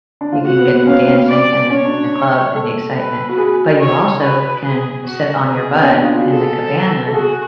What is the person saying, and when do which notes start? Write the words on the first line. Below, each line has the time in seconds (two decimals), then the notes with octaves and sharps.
You can get the dancing, and the club, and the excitement. But you also can sit on your butt in the cabana,
0.21 D4
0.32 F4
0.45 F#4 F#5
0.59 B3
0.74 B3
0.87 C#4 F5
0.97 B3
1.06 C#4
1.29 D5
1.70 C#4 C#5
1.85 D4
2.54 A4
2.96 B4
3.29 F#4
3.38 G#4
3.80 C#5
4.22 B4
4.64 G#4
5.05 F#4
5.47 G#4
5.74 B3
5.81 C#4
5.89 D4
6.03 F4
6.17 F#4
6.31 G#4 A4
7.07 A4
7.14 F#4 G#4